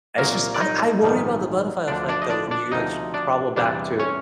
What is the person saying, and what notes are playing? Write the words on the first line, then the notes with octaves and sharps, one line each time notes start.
I just I I worry about the butterfly effect though when you, like, s travel back to,
C2 A#2 F#3 A#3 A#4
D5
D#4 D#5
A#1 G#2 D#3 G3
D2 D3 F3 D4 D5
D4 D5
D#5
D4 D5
D4 D5
D2 C3 F3 D#4 D#5
D4 D5
E2 C3 E3 G3 D4 D5
C#4 C#5